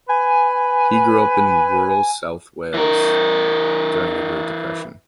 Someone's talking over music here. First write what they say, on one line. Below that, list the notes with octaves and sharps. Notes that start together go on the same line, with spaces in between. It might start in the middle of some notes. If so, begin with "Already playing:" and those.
He grew up in rural New South Wales during the Great Depression.
B4 G#5
E3 A#4